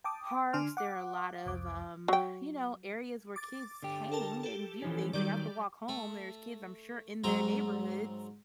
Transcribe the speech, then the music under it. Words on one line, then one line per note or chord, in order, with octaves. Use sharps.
parks, there are a lot of, um, you know, areas where kids hang and do things. They have to walk home, there's kids, I'm sure, in their neighborhoods,
G5 A5 D6 D#6
D3 D4 G#5 C6 F6
F#5 D6
C2 F2 D6
F#3 G5
D6 A6
D3 G4
A4 A#4 A5
G4 A4
E3 F3 C#4
D#3 E3 F#3 G3 G4 D5
A3
G#2 F#3 C4 A#5